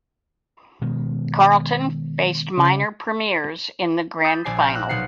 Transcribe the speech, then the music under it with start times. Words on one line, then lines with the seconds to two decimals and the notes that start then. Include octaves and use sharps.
Carlton faced minor premiers in the Grand Final.
0.82 B2 D#3 G#3
2.57 C#3
4.23 B5 D#6 E6 G6 A6
4.44 A#1 D5 G#5 C7
4.57 D5 F5 G5 A#5
4.75 E6 F#6
4.89 B1 B3 F5 F#5 C7